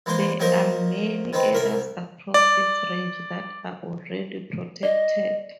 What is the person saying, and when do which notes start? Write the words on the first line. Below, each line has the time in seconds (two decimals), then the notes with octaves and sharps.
There are many areas across its range that are already protected.
0.06 E3 G#3 A#3 C5 C6
0.40 F3 F#3 A#3 A#4 C5 D#5
1.33 D#3 C4 D#4 B4
1.53 C2 A#4 E5
2.34 D5
4.83 D5 D#5